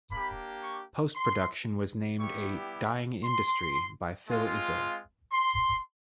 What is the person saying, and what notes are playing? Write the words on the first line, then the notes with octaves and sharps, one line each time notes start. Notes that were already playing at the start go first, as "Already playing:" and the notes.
Post-production was named a "dying industry" by Phil Izzo.
A#3 D4 G4 B5
C#6
C6
G3 B3 E4 G4 C#6
C6
G#3 C4 F4
C6